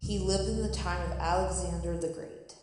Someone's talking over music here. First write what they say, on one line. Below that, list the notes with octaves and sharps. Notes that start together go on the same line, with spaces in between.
He lived in the time of Alexander the Great.
C2 F#2 D#3